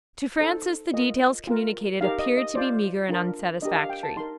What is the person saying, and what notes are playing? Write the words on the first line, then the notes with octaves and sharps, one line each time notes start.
To Francis, the details communicated appeared to be meagre and unsatisfactory.
D#4 A4 C5
F4 A#4 D#5
F4 A#4
D#4 G4 A#4 F5
D#5
D#5
F4 C5 D5
D4 F4 A#4
D4 G4 A#4 D#5
F5
G5
A5
D#4 A#4 C6